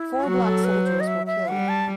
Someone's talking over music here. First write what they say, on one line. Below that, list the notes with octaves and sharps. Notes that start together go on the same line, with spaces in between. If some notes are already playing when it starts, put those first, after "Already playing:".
Four black soldiers were killed.
Already playing: E4
F#3 F#4
A4
B4
C5
D#5
E5
E5
G3 F#5
A5